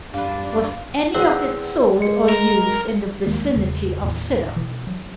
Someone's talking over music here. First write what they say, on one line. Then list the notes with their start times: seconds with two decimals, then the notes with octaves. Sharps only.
"Was any of it sold or used in the vicinity of Sidham?"
0.14 F#2 G3 D4 F4 B4
1.14 E2 C4 C5 F#5 C6
2.00 G#3 C#7
2.29 A#4
3.26 D#2 D#3 G#3 A#3
3.55 E2 C#3
4.02 D#2 A2
4.56 B2 E3
4.87 F#3